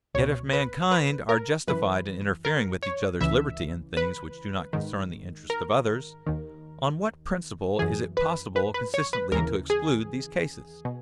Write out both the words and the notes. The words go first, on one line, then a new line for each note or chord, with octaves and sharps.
Yet, if mankind are justified in interfering with each other's liberty in things which do not concern the interests of others, on what principle is it possible consistently to exclude these cases?
C#2 B2 C#5
B4
B4
A#4
F#2 E3 B4
A#4
C#5
C#2 C#3 E3 E5
B4
G#2 D#3
A#4
D#2 D#3
F#2 E3 G#4
B4
B4
B4
C#5
B4
D#2 C#3 E3 A#4
G#4
B2